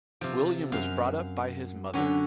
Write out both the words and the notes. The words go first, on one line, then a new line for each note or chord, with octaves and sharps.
William was brought up by his mother.
C3 F3
F#2 F5
D3 F#3 C#4